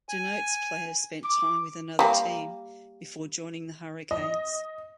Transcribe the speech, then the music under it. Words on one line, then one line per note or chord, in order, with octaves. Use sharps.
Denotes player spent time with another team before joining the Hurricanes.
G#5
D6
G3 A#3
D#5